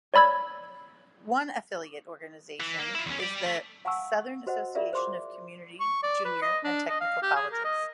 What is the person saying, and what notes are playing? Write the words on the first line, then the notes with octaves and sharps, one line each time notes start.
One affiliate organization is the Southern Association of Community, Junior, and Technical Colleges.
C#5 D5 B5 E6 G#6
E3
A#3
E4 F4
E2 C#4
G4 D5
A3
F5 F#5 G#5 A5 C#6 E6
F#4 C5 D#5 F#5
F4 G#4 A#4 D5 E5 F5
C5 C6 D6
C#6
D5
B4
D#5
D4
D#5
F5
G4
G#4
A#4
D#5